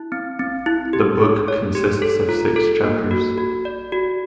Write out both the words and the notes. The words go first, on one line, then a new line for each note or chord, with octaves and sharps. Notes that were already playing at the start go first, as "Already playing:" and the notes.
The book consists of Six Chapters.
Already playing: E4
C4
C4
E4
G4
C#5
C#5
G4
A4
F4
A4
A#3
F#4
F#4
D5
F#4